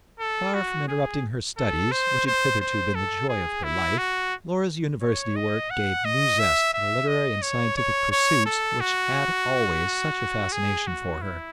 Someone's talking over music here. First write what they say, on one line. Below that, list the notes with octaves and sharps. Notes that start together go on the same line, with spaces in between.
Far from interrupting her studies, which had hitherto been the joy of her life, Laura's university work gave new zest to the literary and scientific pursuits which had always such a fascination for her.
A4
F#4
G#4
A4
C5
C5
C5
A4
G#4
E4
F#4
C#5
D#5
F#5
D#5
E5
E5
D#5
C#5
C#5
C#5
A4
F#4
G#4
F#4
E4